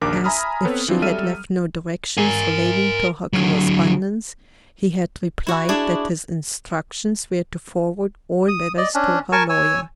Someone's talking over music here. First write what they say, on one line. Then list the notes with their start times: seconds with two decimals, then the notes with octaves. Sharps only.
Asked if she had left no directions relating to her correspondence, he had replied that his instructions were to forward all letters to her lawyer.
0.02 A#1 D#2 D4 A#4 D6
0.24 E5 G#5 A#5 B5 D#6 F6
0.65 B3 C4 A4 B4 C#5
0.88 E3 F3 C4 D4 F4
1.02 F#3 G3 A4 E5 F6 D#7
2.18 A#4 G#5
3.33 D3 F#3
5.47 E4 F#4
5.69 D4 E4 G#4
8.48 D#6
8.77 D5 D#5
8.95 C#4 D4
9.32 A#4 G#5 A5 C#6
9.49 C#5 G#5 E6